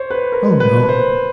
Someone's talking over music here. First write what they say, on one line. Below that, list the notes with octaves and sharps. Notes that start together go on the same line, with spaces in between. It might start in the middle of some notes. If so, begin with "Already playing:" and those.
"Oh no."
Already playing: C5 C#5
B4
A#4
B4
C5